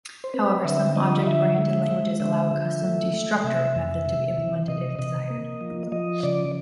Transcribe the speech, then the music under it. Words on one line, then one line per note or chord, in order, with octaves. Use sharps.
However, some object-oriented languages allow a custom destructor method to be implemented, if desired.
C5
C4 B4
D3 E5
F3 D#5
D3 E5
G#3
G#3
D3 E5
F3
A3
A3
C3 E5
F2
C3
E3
C3 D#5
C3 D#5
A#3
F3
F3 D#5
C#3 D5